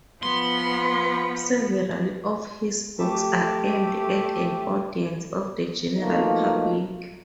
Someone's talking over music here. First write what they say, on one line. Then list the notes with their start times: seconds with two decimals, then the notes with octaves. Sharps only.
Several of his books are aimed at an audience of the general public.
0.23 F3 B3 C6
2.99 A3 G4
5.98 B2 F3 A3 A#3 D#4